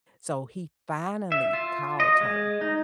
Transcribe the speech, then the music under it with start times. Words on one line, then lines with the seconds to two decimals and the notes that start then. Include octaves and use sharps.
So he finally called her,
1.32 E5
1.53 F4
2.00 D#5
2.21 G#3
2.61 D#4